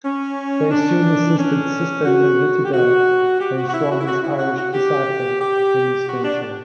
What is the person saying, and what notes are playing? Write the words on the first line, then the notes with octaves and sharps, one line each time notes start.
They soon assisted Sister Nivedita, the Swami's Irish disciple, in this venture.
C#4
D4
C#4
F#4
G4
F#4
G4
F#4
F#4
E4
F#4
E4
F#4
E4
F#4
F#4
G4
G4
F#4
D4
D4